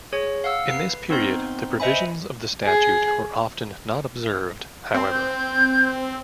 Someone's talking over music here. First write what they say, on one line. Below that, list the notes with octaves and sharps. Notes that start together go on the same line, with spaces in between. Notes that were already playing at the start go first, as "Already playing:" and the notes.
In this period, the provisions of the Statute were often not observed, however.
G#4 C#5
F5 F#5 E6
B4 C7
B3 C4 D#4 C5 C6
B4 C5 D#5 E5 G#5 B5
G#4
C4
G6